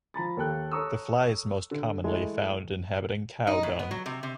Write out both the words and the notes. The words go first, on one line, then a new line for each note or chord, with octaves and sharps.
The fly is most commonly found inhabiting cow dung.
F3 A#5 B5 A6
D#2 A#3 A4 G5 F#6
A4 C#5 A#5 C#6 D#6 E6
D3
E3 G#3 A3 E4
D#4
A2
B3
F#3
C3
C3